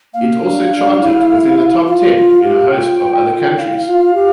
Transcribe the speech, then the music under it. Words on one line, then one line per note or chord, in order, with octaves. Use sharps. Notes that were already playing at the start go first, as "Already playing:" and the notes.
It also charted within the top ten in a host of other countries.
A#3 F5
D4
D4
E4
F4 F5
F4
G4
F4 G5
E4 F5
F4
G4